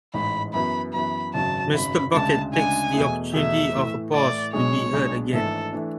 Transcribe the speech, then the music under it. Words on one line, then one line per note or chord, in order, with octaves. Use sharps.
Mr. Bucket takes the opportunity of a pause to be heard again.
A1 G#2 G#3 B5
F#2 E3 B3 F#4 B5
F#2 E3 B3 F#4 B5
G#1 F#2 C#3 F#3 A5
G#1 F#2 C#3 F#3 B5
D2 C#3 G#3 D4 A5
D2 C#3 G#3 D4 G#5
E2 B2 A3 E4 G#4
E2 B2 A3 E4 G#4 E5
A2 E3 A3
A2 E3 A3 D5
B1 B2 G#3 D4 G#4 C#5
B1 B2 G#3 D4 G#4
G#1 G#2 E3 A3 D4 A4
E3 A3 D4